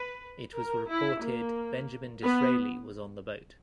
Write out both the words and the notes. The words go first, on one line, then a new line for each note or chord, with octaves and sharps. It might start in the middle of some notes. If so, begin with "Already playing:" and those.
It was reported Benjamin Disraeli was on the boat.
Already playing: B4
A#4
E4
A#3
B3